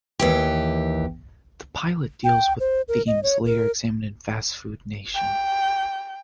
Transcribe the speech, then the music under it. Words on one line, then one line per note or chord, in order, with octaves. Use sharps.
The pilot deals with themes later examined in "Fast Food Nation".
D#2 E3 G4
G5
C5
A#4
D#5
C#5
A#4
G5